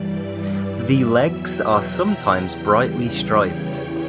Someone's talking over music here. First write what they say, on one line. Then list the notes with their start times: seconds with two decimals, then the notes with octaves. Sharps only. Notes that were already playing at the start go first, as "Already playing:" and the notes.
The legs are sometimes brightly striped.
Already playing: G2 E3 G3 D5
0.60 E5
0.96 E2 B2 F#3
1.31 G5
1.67 A#5
2.39 E2 C#3 E3 G3 G5
2.74 G5
3.11 C#5